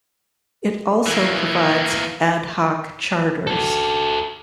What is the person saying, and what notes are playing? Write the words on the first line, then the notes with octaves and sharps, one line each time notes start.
It also provides ad-hoc charters.
E3 A#3
F#4 A4